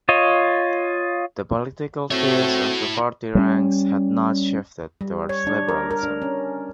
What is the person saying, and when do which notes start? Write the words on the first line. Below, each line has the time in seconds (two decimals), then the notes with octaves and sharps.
The political views of the party ranks had not shifted towards liberalism.
0.09 F4 C#5 D#5
2.11 A3 C4 E4 F#4 C#5
3.35 G3 G#3 C#4
5.01 G3
5.29 C#5
5.47 D4
5.69 A#4
5.91 A#4
6.03 D4
6.22 C#4